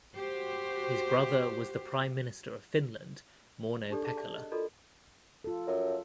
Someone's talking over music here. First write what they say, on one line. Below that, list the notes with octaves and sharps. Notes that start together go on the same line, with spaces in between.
His brother was the Prime Minister of Finland Mauno Pekkala.
F#4 G4 C5
D4 D#4 G4 A4 D5
G#4 F#5 A5
D5 E5 G#5
D#5
F4 F#4 A4 A#4 D5 D#5
F4 A4
F#2